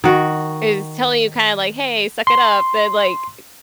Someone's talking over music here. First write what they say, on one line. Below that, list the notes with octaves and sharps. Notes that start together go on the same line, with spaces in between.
is telling you, kinda like, "Hey, suck it up." Then, like
D#3 F#4
C6